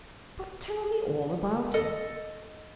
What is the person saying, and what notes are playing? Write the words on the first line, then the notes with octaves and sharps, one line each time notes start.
But tell me all about it!
A4 D#5